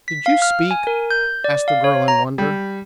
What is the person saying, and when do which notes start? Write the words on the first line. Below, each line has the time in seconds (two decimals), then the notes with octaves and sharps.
"Did you speak?" asked the girl, in wonder.
0.08 B6
0.26 F5
0.42 F6
0.71 G#5
0.87 A#4
1.11 G6
1.44 D5
1.68 F5
1.84 C#5
2.08 A#5
2.38 G3